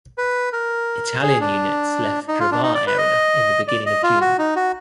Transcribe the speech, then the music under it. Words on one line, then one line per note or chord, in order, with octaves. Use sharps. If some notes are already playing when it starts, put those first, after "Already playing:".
Italian units left Drvar area in the beginning of June.
B4
A#4
G#4
D4
D#4
F4
D4
D#4
D5
B4
D#5
D5
D#5
F4
F#4
D#4
F#4